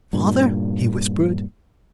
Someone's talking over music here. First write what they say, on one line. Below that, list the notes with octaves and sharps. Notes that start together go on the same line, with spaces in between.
"Father!" he whispered.
G2 A#2